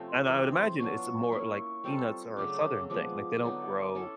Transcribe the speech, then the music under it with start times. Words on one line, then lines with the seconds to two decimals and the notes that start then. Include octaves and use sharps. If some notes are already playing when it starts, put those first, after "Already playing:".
and I would imagine it’s more, like peanuts are a Southern thing, like, they don’t grow,
Already playing: C3 F3 A3 C#4
0.08 C6
0.21 C#6
0.26 C3 E3 G#3 D6
0.52 C6
0.79 F#3 B3 D4 F4 C#6
1.32 A#3 C#4 E4
1.84 G3 C4 F4 A4
2.37 C#3 F#3 A3 D4 D6
2.89 F3 G#3 B3 D6
3.42 D3 F#3 B3 D#4
3.95 C#4 E4 A4